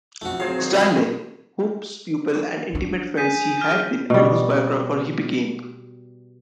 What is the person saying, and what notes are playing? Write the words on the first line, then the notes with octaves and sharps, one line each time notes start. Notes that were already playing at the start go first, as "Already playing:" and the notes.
Stanley, whose pupil and intimate friend he had been, and whose biographer he became.
B1 F2 A3 F#4
F#3 C4 G#4 C5 C#5 F5
D#3 F#4 A#4 C5 C#5
E4 B5 C6
D#3 D4
G#4 G6 B6 D#7
F6
B2 G3